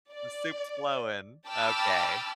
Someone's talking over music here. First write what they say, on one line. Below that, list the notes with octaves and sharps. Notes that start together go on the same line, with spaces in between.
"The soup's flowing." Okay.
D5
G5 A5 B5 D6 E6 F6